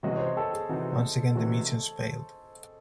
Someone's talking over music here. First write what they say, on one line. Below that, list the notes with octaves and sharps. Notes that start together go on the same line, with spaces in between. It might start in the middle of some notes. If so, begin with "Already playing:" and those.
Once again the missions failed.
C3 E3 G#3 C#4 F#4 D#5
C#5
C5
A4
G#4
C3 E3 C4 D#4 F#4
C3 E3 A3 C#4 F#4